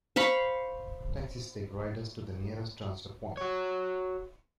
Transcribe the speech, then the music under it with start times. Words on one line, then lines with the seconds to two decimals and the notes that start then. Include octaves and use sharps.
Taxis take riders to the nearest transfer point.
0.16 C5 F5 B5 C#6
3.37 F#4 C#5